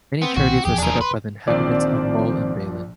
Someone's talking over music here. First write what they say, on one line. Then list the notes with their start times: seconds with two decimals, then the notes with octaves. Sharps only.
Many charities were set up by inhabitants of Mol and Balen.
0.22 B3 C4
0.37 B1 A#2 D#3 F#4
0.65 D#1 E2 F3 G4 G#4
0.78 D4 A#4
1.01 B4 C6
1.48 A#1 D#3 F3 C4 D5